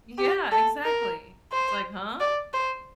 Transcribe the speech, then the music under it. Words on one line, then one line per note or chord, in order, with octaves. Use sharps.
Yeah, exactly. It's like, huh?
G4
A4
A#4
C5
D5
C5